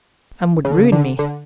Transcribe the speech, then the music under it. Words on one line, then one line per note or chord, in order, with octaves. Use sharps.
"And would ruin me."
C#3
D3
C#3
D3
D3